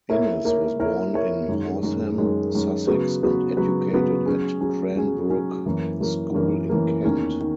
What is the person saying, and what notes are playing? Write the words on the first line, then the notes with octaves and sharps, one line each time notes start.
Innes was born in Horsham, Sussex, and educated at Cranbrook School in Kent.
A#3 E4 A#4 C#5
A#3 E4 A#4 C#5
A#3 E4 A#4 C#5
A#3 E4 A#4 C#5
F#2 D#3 G#3
F#2 D#3 G#3
F#2 D#3 G#3
F#2 D#3 G#3
C#3 F#3 B3 F#4 B4
C#3 F#3 B3 F#4 B4
C#3 F#3 B3 F#4 B4
C#3 F#3 B3 F#4 B4
F#3 C#4 G#4
F#3 C#4 G#4
F#3 C#4 G#4
F#3 C#4 G#4
F#2 E3 A#3
F#2 E3 A#3
F#2 E3 A#3
F#2 E3 A#3
E2 D#3 A#3 C#4
D#3